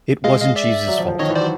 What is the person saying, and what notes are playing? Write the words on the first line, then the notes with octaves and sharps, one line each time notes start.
It wasn't Jeeves's fault.
G#3 D#5 F5
D#5 F5
D5 E5
F#3
F3
F3
D#3 C#5 D#5
E3
F#3 C5 D5